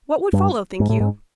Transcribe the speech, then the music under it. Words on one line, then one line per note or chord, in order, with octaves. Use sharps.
What would follow, think you?
G2
G#2
A2
G#2